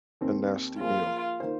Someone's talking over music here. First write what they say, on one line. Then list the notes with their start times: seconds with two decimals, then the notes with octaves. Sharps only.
a nasty meal.
0.21 D#2 D#3 C4
0.80 F3 A#3 F4 G#4 C5
1.40 D#3 A#3 F4 C5